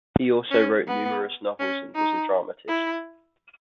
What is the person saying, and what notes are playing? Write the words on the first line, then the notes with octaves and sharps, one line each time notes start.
He also wrote numerous novels, and was a dramatist.
C#4
B3
C#4
D#4
E4